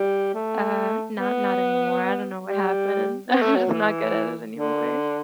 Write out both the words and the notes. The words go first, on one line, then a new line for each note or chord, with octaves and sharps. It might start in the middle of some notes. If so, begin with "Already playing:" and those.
uh, not not anymore, I don't know what happened. I'm just not good at it anymore.
Already playing: G3
A3
B3
G3
B3
A3
F#3
E3
D3